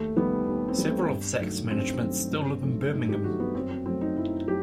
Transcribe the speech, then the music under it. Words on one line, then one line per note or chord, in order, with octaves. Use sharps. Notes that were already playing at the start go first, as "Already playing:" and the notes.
Several of Saks' management still live in Birmingham.
Already playing: D#2 A3
D#3 G3 B3
D#2
C4
D#3 G3
A3
G2
D#3 F#3 A3
G2 C4
D#3 F#3 A3
G2
D#3 F#3 A3
G2 D#4
G4
D#3 F#3 A3 F#4
B3
F#2 C4
C4
F#3 A3 C4
D#4
F#2 E4
F#3 G4